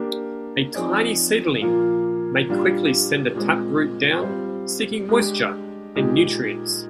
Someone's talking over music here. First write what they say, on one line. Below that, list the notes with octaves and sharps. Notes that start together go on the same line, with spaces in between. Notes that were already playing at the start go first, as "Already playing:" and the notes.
A tiny seedling may quickly send a taproot down seeking moisture and nutrients.
Already playing: A#3 D4 G4 A#4
F3 C4 D#4 G#4 D5
A#2 F3 A#3 F4
A#2 G3 D4 F4
A#2 G#3 C4
G3 C4 F4 C5
G#3 D4 G4
A#2 G#3 D#4 G4